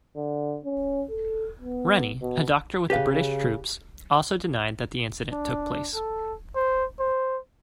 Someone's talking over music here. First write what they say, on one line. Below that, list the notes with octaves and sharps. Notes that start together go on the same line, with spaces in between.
Rennie, a doctor with the British troops, also denied that the incident took place.
D3
C#4
A4
B3
B2
C#3 G4 B4 F5
D4
A4
C5
C5